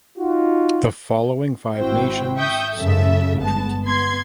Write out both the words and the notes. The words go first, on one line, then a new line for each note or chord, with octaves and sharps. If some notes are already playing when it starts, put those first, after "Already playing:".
The following five nations signed the treaty.
D#4 F4 F#4
G#1 C4 E4 F#4 C5 G5
E5 G5 C#6 D#6 G6
F#2 C#3 A4 E5
G1 G#3 B3 A5
B3 C6 G#6